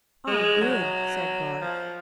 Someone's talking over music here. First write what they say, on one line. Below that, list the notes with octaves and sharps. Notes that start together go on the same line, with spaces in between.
"Ah, good!" said Garth.
G#3
F#3
F3